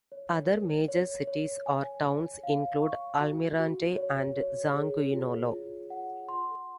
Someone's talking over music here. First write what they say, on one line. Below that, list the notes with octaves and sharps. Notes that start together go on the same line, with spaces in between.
Other major cities or towns include Almirante and Changuinola.
C#5
A#4
C#5
C#5
G#5
G#5
F5
C#6
F#4
F#4
C#5
C#5
G#4
F4
F4
F#5
C6